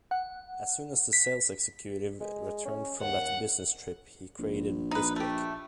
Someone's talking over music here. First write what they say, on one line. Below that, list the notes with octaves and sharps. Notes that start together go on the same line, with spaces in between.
As soon as the sales executive returned from that business trip, he created Bisquick.
F#5
B6
G#3
C#4
D#2 F#5
A#1
D#4 B4
A3 G4